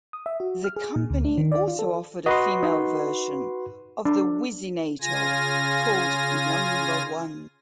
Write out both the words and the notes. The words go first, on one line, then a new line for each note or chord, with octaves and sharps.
The company also offered a female version of the Whizzinator, called Number One.
D#6
E5
F#4
F6
G#4
A#2
D2
D4
D#3
D5
F4
A4
F#4 B4 D#5 C6
D#4
D4
C#3 F4 G#5 A#6